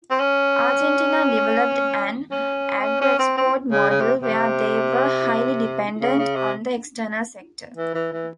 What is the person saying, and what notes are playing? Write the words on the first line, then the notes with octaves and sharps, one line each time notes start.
Argentina developed an agro-export model where they were highly dependent on the external sector.
C4
C#4
C#4
C4
C#4
C#4
C4
C4
C#3
C#3
C3
C3
C#3
C#3
C3
E3
E3
E3